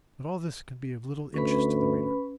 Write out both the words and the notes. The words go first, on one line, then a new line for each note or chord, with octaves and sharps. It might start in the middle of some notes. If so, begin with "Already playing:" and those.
But all this can be of little interest to the reader.
D2 C#4 B4 B5